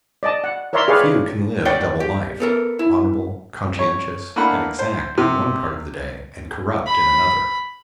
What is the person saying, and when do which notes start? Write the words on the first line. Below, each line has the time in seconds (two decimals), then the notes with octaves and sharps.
Few can live a double life--honorable, conscientious, and exact in one part of the day, and corrupt in another.
0.23 D5 D#5 A5
0.44 F#5
0.73 A#4 C#5 D5 E5 A#5 C6
0.88 G4 G#4 B4 C#5 D5 F5
1.65 C#5 D5 F#5 G5
2.00 G4
2.40 B3 A4 A#4
2.79 E4
3.79 C#5
4.36 A3 A#3 D4 F#5 B5
4.79 C5
5.18 C3
6.87 B5